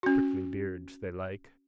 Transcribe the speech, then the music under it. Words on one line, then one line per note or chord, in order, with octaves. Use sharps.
Prickly beards they like.
C#4 F#4